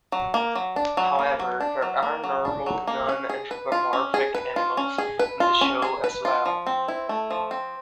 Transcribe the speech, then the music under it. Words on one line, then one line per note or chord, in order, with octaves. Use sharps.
However, there are normal, non-anthropomorphic animals in the show as well.
F#3
A#3
F#3
D4
F#3
A#3
F#3
D4
F#3
A#3
F#3
D4
F#3
A#3
C#4
G#4
B4
F4
C#4
G#4
B4
F4
C#4
G#4
B4
F4
C#4
G#4
B4
F4
F3
C4
E4
A3
F3
C4